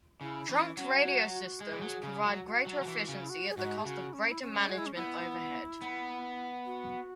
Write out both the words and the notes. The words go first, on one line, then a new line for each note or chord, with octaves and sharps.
Trunked radio systems provide greater efficiency at the cost of greater management overhead.
C#3 E4
E3 C#4
F#3 C#4
F#4
F#4
G#3 G#4
E3
F#3
C#3
F#3
F#4
F#3
F#3
E3
C#3
E4
F#4
G#4
G#2 F#4
G#4
C#3 F#4
C#4
E4
C#4
G#3
F#4
E4
C#4
B3 E4
B3
F#4